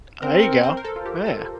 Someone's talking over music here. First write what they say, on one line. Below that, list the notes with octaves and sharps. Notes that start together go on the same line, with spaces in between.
I you go. Yeah.
C4 A#4
A#4
C5
A#4
A4
F4
G4
A4